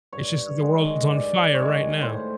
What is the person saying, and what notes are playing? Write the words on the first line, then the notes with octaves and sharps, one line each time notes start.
It's just that the world's on fire right now.
G2 C#5
D#3 G#3
G2 D5
D#3 G#3 C#5
A2 C5